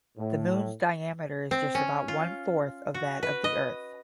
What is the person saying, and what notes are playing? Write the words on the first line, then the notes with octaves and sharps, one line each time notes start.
The moon's diameter is just about one-fourth that of the earth.
A2
C4
C#4
F4
F#4
B4
D#5